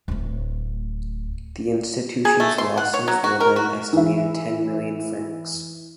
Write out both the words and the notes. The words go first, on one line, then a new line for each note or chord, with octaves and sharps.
The institution’s losses where then estimated ten million Francs.
D1 A3
G#4
A3
C6
F#5
C#5
F#3
F#4
A#4
F#4
E3 E4